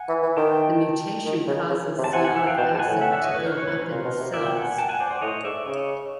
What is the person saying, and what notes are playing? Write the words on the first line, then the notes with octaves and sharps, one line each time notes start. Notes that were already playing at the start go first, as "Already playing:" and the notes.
The mutation causes sialic acid to build up in the cells.
Already playing: F#5 G#5
E3
E3
D#3 G5 A5
D#3
C#3
C#3
C3
A5
C3 F#5 G#5
F#5 G#5
E5 F#5
F5 G5
B2 G5 A5
G#2 A5
F#5 G#5
A2
E5 F#5
D5 E5
C#5 D#5
B4 C#5
A#4 C5
B4 C#5
B4 C#5
A#4 C5
A#2
B2
C3
A#2 D5 E5
G5
F#5 G#5
G5 A5
F#5 G#5
C5 D5
C5 D5
A2 C#5 D#5
G#2 D5 E5
C#3 C#5 D#5